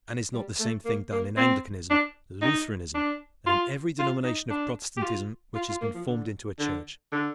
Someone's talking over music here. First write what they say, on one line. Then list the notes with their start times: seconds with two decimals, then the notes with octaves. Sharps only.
And is not the same thing done in Anglicanism, Lutheranism, and every denomination of Protestantism which has been formed into a church?
0.34 G3
0.59 A3
0.85 A#3
1.12 A#3
1.37 C4
1.90 D4
2.42 D#4
2.95 D4
3.47 F4
3.99 F4
4.24 D#4
4.50 D4
4.97 G4
5.02 F4
5.55 F4
5.69 F4
5.81 A#3
5.94 F3
6.07 D3
6.59 D3
7.12 D3